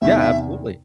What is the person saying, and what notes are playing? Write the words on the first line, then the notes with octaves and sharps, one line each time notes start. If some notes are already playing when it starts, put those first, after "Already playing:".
Yeah, absolutely.
E2 C3 D#3 E5
E5